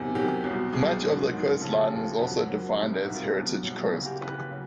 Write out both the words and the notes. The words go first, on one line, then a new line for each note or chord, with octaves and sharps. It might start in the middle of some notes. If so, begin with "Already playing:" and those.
Much of the coastline is also defined as heritage coast.
Already playing: E2 C3 D#3 F#3
E2 C3 D#3 F#3 G4
C2 B2 F#3
C2 B2 F#3 G#4
G#2 D#3 F#3
G#2 D#3 F#3
D#2 C#3 F3 A4
G#4
A4
D#2 C#3 F3
F2 D3 F#3
F2 D3 F#3 A#4
C2 C3 D#3
C2 C3 D#3 F#4
F4
F4
C2 B2 F#3
C2 B2 F#3 E4
D#2 C#3 E3
F#4
G4
D#2 C#3 E3 B4
C#3 F#3